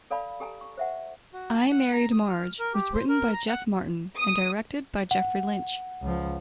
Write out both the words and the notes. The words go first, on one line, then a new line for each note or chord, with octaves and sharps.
"I Married Marge" was written by Jeff Martin and directed by Jeffrey Lynch.
A4 D5 F5 A5 B5
G4 A4 G#5 A#5
C#6
C5 E5 F#5
F#4
A5
F#5
A#5
D#6
F6
A#4
G4
C5
A#4
A#5
F#5
D#6
F#5
C#2 F3